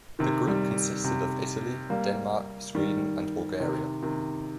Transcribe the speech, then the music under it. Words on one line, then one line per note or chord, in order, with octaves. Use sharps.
The group consisted of Italy, Denmark, Sweden and Bulgaria.
C3 D#3
D#3 G3
C3
G3 A#3
D#3 G3
C3 D#3
C3 D#3